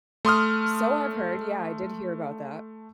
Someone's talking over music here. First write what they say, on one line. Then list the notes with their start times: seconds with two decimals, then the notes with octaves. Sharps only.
So I've heard, yeah, I did hear about that.
0.25 A3 C6 D#6 F6